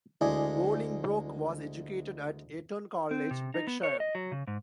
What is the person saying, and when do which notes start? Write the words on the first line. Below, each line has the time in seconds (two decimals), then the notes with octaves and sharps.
Bolingbroke was educated at Eton College, Berkshire.
0.21 D2 G#3 E4 D5 G#5
3.11 C4
3.31 C3
3.54 D#4
3.67 B3
3.83 C#5
4.00 D#5
4.15 F#3
4.32 C#3
4.47 G#2